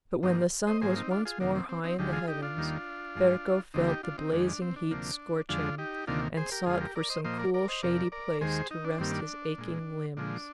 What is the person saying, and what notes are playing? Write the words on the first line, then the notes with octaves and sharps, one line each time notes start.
But when the sun was once more high in the heavens, Ferko felt the blazing heat scorch him, and sought for some cool shady place to rest his aching limbs.
G2 F3 A#3 C4 D#4
C5 D#5
G#2 F3 A#3 G#4 C5
C4 D#4
D4 F4
F4 G#4
F2 C3 D#3 A#3 D4
C4
C4
C4 D#4
D2 D3 F3 G#3 D#4 G4
F4 G#4
D#4 G4
D4 F4
D#2 D#3 G3 A#3
G2 F3 G#3
D2 D3 G3 A#3 C4 D#4
D#4 G4
D4 F4
C4 D#4
F2 D#3 G#3 D4
D4
C4
D4
D2 C3 F3 A#3
F2 D3 G#3 D4 F4
D#4 G4
D2 C3 D#3 A#3 D4 F4
G#4 C5
G4 A#4
F2 D3 F3 G#3 F4 G#4
G4 A#4
A#4 D5
C5 D#5
A#2 F3 A#3 C5 D#5
A#4 D5
A#4 D5
C5 D#5
F2 C3 F3 A#4 D5
A#4 D5
D#2 D#3 G#3 G#4 C5
D#4
D4
G2 D#3 G3 A#3 C4
D4
A#2 G#3
A#2 F3 G#3 D4